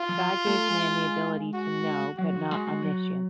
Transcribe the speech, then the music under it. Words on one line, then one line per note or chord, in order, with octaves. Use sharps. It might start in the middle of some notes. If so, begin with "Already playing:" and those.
God gave man the ability to know, but not omniscience.
Already playing: F4
F3
A3
G#3
F#4
F#3 F#4
F3
G#3
G#3
F#3